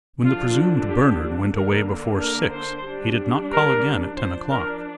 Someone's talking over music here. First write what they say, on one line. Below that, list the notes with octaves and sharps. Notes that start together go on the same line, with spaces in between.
When the presumed Bernard went away before six, he did not call again at ten o'clock.
D3 F3 D4 F4
G4
D3 A#3 D4 A#4
A#4
C5
G3 D4
A#4
F3 D4 C5
A#4